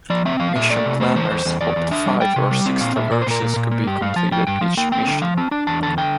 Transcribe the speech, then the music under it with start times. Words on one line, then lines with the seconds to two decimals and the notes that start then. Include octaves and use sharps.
Mission planners hoped five or six traverses could be completed each mission.
0.10 F3 D5
0.25 C4 E5
0.40 F3 F5
0.56 A#2 E5
0.70 A3 D5
0.86 C3
1.00 A3 C5
1.15 E3 C5
1.31 E2
1.45 E2
1.61 E2 D5
1.76 E2
1.91 D4 E5
2.06 G3
2.21 G3 G5
2.36 C3
2.51 G3
2.66 C4
2.81 A#2 F5
2.96 A#2 E5
3.11 A#2 D5
3.22 C5
3.26 A#2 A#4
3.42 A#2
3.56 A#2
3.72 A#3
3.87 G2 G4
4.01 G2 F5
4.16 F3 A5
4.32 F3 G5
4.47 G2 G5
4.61 F3 F5
4.77 A#3 G5
4.92 C4 G5
5.07 D3
5.22 F3 F5
5.37 C4 A5
5.51 D4 A5
5.67 E2 A5
5.83 D3 A5
5.97 D3 G5